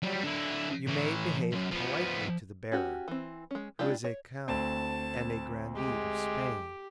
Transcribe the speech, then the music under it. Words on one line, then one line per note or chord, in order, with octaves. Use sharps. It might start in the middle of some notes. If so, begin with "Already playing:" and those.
You may behave politely to the bearer, who is a count and a grandee of Spain!
F#3 G3
D3 E4
A2 E3
C#2 F#2
F3 B3
C#4 F#4 G4
E3 C4
G#3 C#4
G#3 D4 E4 F4 G4
C#5
D2 C4 A5
G#3 G4